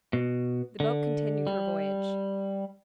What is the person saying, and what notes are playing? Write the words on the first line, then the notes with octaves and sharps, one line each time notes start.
The boat continued her voyage.
B2
D3
G3